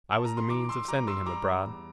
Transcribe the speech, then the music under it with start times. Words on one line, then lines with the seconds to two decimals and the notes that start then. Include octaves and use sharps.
I was the means of sending him abroad.
0.12 A5
0.25 A#5
0.37 C6
0.50 E3 A#5 D6
0.69 C6 E6
0.88 G3 A#5 D6
1.07 C6 E6
1.26 G3 A#5 D6
1.64 E2